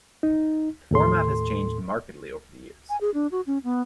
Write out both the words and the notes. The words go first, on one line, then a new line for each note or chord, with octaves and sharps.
The format has changed markedly over the years.
D#4
D#2 A2 A4 C6
G#5
G#4
D4
F#4
C#4
B3